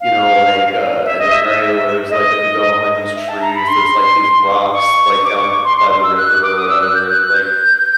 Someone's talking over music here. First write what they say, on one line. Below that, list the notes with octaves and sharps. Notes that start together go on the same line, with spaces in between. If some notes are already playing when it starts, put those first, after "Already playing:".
you know, like, uh, an area where there's, like, if you go behind these trees, there's, like, these rocks, like, down by the river or whatever, and it's, like,
F5
E5
D#5
E5
E5
E5
D#5
E5
A5
A#5
B5
C6
C#6
D6
C#6
C6
C6
E6
F#6
F#6
D6
D#6
E6
F#6
G6
F#6
F#6
G6